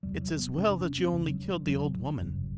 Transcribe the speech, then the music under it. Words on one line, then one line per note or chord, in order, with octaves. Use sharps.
It's as well that you only killed the old woman.
E1 E2 C3 G3
F#3
B3
E1 E2 C3 C#4
D4
C#4
C4
E1 E2 C#3
F#3
F3
E1 E2 C#3 F#3
G1 F#2 C#3